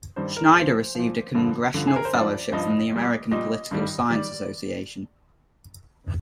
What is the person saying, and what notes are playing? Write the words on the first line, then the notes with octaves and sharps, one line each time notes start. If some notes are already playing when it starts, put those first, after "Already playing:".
Schneider received a Congressional Fellowship from the American Political Science Association.
G2 D#3 G3 C5
A#4
G#4
A#2 F3 C5
A#2 F3
G2 D3 F3
G2 D3 F3
G#4
A#4
C5
G2 F3 D5
G2 F3 D#5
A#2 G3
A#2 G3 D#5
G2 D#3 G3
D#3 G3 D5